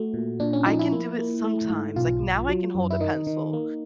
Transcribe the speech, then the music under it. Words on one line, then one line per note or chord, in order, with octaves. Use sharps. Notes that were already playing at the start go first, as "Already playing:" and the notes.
I can do it sometimes, like, now I can hold a pencil,
Already playing: A3 F#4
A#2
A#2 D4
C#4
F3 D#4
E4
A#3
A#3
A3
G#2
B1 F4
B1
F#3
F#2
E4
D#3 D#4
D#3
A#3